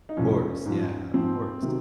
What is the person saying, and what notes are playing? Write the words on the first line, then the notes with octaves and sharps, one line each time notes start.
Of course. Yeah. Of course.
D#4
C2 A#2 F3 C#4
G#2 F3
G#2 F3 C4
C3 D#3 F#3